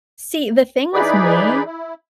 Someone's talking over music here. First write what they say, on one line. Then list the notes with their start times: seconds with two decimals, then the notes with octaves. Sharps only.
See, the thing with me
0.94 E3 D#4 G#4 B4 D5 B5
1.66 E4